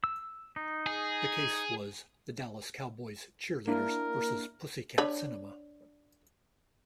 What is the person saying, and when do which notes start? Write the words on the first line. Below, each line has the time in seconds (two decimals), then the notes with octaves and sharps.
The case was "The Dallas Cowboys Cheerleaders versus Pussycat Cinema".
0.04 E6
0.56 D#4
0.86 G#4
3.68 A#3 D4 E4 A#4
4.98 D4 C#5 B5